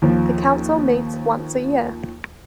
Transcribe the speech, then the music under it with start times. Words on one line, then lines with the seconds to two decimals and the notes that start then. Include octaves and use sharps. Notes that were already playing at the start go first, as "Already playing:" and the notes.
The Council meets once a year.
0.02 D#2 F3